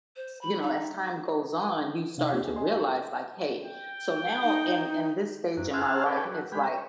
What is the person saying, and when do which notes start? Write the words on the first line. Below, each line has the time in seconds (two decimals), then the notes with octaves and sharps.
you know, as time goes on, you start to realize, like, "Hey," so now in in this stage in my life, it's like
0.16 C5
0.41 B5
0.62 D#4
2.18 C3 D4 D#4 F5
2.31 A#3 C4 D4 F4 G4
2.43 D2 G#4
2.56 D#5 G#5 C6
2.77 C#6
3.64 G5
4.43 D#4
5.57 F#2
5.73 G#4 C5 E5 F#5 A5 F6
6.06 G#4 A4 B4 C#5 D5 G5
6.25 F#3
6.52 G#3 G4 B5
6.69 C#5